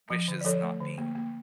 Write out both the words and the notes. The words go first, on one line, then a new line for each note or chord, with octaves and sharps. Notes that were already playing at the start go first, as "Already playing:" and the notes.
wishes not being,
F3
D3
D5
F3 A4 C#5
A3
D3
A#3
A#3